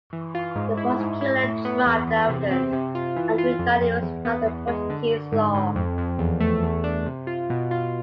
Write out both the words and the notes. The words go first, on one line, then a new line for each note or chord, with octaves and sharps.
The prosecutor dropped the evidence, arguing that it was not in Portuguese law.
E3
F4
G#2
E4
G#2
E4
A2
B3
E2
E2
C3
C4
C3
F4
E3
F4
F2
F2
E2
B3
E2
G#3
D3
D3
G#2
G#2
F2
F2
E2
A3
E2
D4
C3
F4
B2
F4